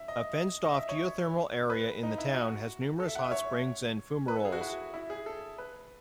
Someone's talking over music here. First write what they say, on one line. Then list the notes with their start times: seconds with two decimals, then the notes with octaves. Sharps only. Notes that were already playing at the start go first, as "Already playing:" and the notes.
A fenced-off geothermal area in the town has numerous hot springs and fumaroles.
Already playing: E5
0.08 D#5
0.64 D#5
0.74 E5
0.89 C#5
1.70 B4
2.03 D#4
2.18 E4
2.34 F#4
3.00 A4
3.08 E5
3.15 F#5
3.24 E5
3.32 C#5
4.28 B4
4.36 A4
4.45 G#4
4.52 F#4
4.61 E4
4.94 E4
5.10 G#4
5.26 A4
5.58 B4